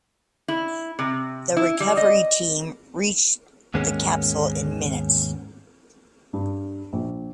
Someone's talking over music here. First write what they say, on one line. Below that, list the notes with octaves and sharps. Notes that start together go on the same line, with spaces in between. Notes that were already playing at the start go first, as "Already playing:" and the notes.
The recovery team reached the capsule in minutes.
E4
C3
E4
G3
D#5
D#2 G#2 G#3 A#3 B3 C#4
G2
A#1